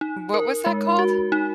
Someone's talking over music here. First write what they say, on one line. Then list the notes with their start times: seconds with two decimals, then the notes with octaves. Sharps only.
What was that called?
0.01 D#4
0.34 A#4
0.66 G#3
0.99 F#4
1.32 D#4